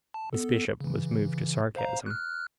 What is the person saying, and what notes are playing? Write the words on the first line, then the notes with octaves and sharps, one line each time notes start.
Miss Bishop was moved to sarcasm.
A5
B3 A4
C#3 E3
C5 F5 A#5
F6 F#6